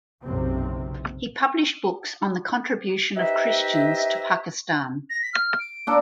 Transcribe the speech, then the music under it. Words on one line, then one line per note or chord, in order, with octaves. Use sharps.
He published books on the contribution of Christians to Pakistan.
F#1 B1 C3 C4
D#4 G4 B4 C5 D#5 E5
A#6
B6
F6
D7
A#3 D4 A4